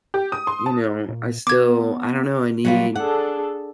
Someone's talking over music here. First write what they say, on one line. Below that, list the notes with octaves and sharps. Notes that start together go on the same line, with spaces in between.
you know, I still, I don't know, I need
G4
D#6
C6
A5
A#2
B3 D6 G#6
F#3 G3 F4
D4 G#4 A4 F#5